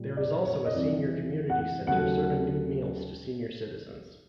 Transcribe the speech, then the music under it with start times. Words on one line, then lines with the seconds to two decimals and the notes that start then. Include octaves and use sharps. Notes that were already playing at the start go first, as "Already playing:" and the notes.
There is also a senior community center serving noon meals to senior citizens.
Already playing: A#2 G3
0.17 D5
0.45 C#5
0.65 D#5
0.73 F2 C3 E3 G3 D5
1.50 F#5
1.87 D#2 C#3 F#3 A3 F#5